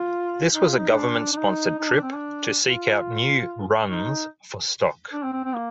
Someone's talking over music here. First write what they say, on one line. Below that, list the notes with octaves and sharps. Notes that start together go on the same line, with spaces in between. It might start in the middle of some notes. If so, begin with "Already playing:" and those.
This was a government sponsored trip to seek out new 'runs' for stock.
Already playing: F4
D#4
F4
D#4
D#4
D4
D4
D#4
D#4
D4
C4
D4
F4
D#4
D4
C4
C4
C4
A#3